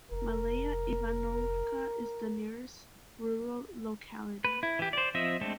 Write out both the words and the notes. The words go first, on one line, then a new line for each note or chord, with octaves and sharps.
Malaya Ivanovka is the nearest rural locality.
F1 A#4
B4
E4
E3 G4
C5 D5
F3 C4 D#5 E5
G#3 A3 C4 D4 A4